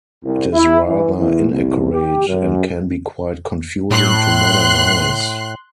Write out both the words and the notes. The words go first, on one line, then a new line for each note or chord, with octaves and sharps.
It is rather inaccurate, and can be quite confusing to modern eyes.
C2
E4
E3
E2
C2
G4
F#2
A2 C6 F#6 C7